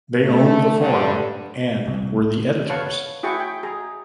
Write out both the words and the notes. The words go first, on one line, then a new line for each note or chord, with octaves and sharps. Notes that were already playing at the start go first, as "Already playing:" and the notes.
They owned The Forum and were the editors.
A3
G2 D3
C2
B4 C#5 F5 F#5 A5 C#6
E4 F#4 G#4 G5 C#6
G5
G#4 A#5